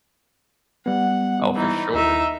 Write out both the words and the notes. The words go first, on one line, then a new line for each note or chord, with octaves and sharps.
Oh, for sure.
G3 B3 F#5
E3 D#4
D#2 D#4 E4 E5